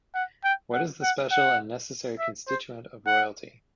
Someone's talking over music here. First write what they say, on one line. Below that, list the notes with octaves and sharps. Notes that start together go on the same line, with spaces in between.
What is the special and necessary constituent of royalty?
F#5
G5
F#5
F#5
F#5
E5
C5
F#5